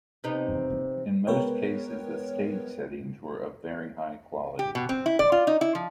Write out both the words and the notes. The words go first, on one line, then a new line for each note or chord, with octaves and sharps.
In most cases the stage settings were of very high quality.
C3 B3 D#4
G#3 B3 A#4 B4 C#5 G5
G4
B2
C4
E4
D5
F4
D#4
E4
F3